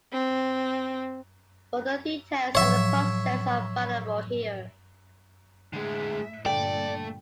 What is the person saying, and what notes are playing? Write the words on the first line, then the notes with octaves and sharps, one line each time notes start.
Further details on the process are available here.
C4
A2 F3 F#3 C#5 E5
A2 D3 G#3 E5
G2 A#2 D3 A3 A4 D5 G5